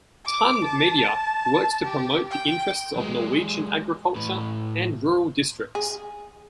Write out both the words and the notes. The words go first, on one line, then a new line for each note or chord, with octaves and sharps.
Tun Media works to promote the interests of Norwegian agriculture and rural districts.
D6
A5
G4
G5
F#3 G#3
A2 B4
G#4